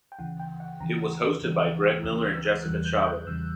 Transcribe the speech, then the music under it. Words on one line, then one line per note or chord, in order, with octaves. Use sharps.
It was hosted by Greg Miller and Jessica Chobot.
G5
D2 C#3 E3 F#5
G5
F#5
D2 C#3 E3 A#5
D2 C#3 E3
D2 C#3 E3 E6
E6
F#6
E2 C#3 E3 G3 F#6
G6
F#6
E2 C#3 E3 G3 E6